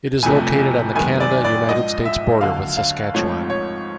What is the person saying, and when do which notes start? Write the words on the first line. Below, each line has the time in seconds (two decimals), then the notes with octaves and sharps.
It is located on the Canada-United States border with Saskatchewan.
0.23 G1 F2 C3 F3 A3 G#5
0.95 F#2 D#3 G#3 B3 G#5
1.20 D5
1.45 D5
1.69 A#1 G#2 F3 D#5
2.05 E5
2.41 D#2 D3 F#3 F5
2.77 F5
3.14 G#1 G#2 F3 A3 C4 C#5
3.50 C#5